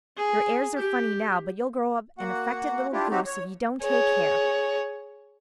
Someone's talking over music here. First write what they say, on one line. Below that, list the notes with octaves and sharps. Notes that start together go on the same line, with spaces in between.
Your airs are funny now, but you'll grow up an affected little goose, if you don't take care.
G#4
G4
A#3 F#4 F#5
D4 E4 F4 G4
F#3 C4 D#4 F#4 G4
C#5
G#4 C#5